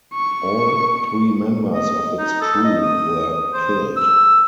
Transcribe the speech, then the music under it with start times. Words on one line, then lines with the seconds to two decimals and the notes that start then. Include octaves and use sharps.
All three members of its crew were killed.
0.14 C#6
1.74 D#5
2.19 D#4
2.41 A4
2.64 D#5
2.83 D#6
3.54 C5
3.97 E6